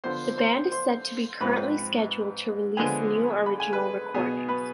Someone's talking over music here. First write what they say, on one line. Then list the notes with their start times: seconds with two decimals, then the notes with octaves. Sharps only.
The band is said to be currently scheduled to release new original recordings.
0.04 D3 F3 B3 C5 C6
0.38 C5 C6
0.72 C5 C6
1.40 G#2 F3 C4 B4 B5
2.77 D3 F3 G#3 B3 G#4 G#5
3.46 B5
3.60 G#5
3.73 B4 B5
4.14 B2 B3 G#4 G#5
4.48 B4 B5